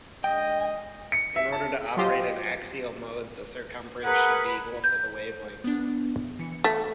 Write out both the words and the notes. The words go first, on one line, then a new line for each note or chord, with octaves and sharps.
In order to operate in axial-mode, the circumference should be equal to the wavelength.
G#3 D4 D#5 G5
C#7
E5
A5
F#3 F4 G4 C5 D#5
G#4 A#4 B4 F#5 B5
G6
B3 D4
E3 C#7
A3 C#6